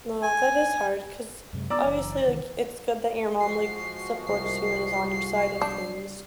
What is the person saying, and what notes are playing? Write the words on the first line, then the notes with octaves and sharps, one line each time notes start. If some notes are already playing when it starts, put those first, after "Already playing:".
No, that is hard 'cause, obviously, like, it's good that your mom, like, supports you and is on your side of things,
G#5
F#2 C3 G#3
B3 D5 A#5 E6
F#1 E3
C2 D#3 E3
F3 G#3 F#4 C7
C2 A#3 C7
D4 C#6 D#6 G6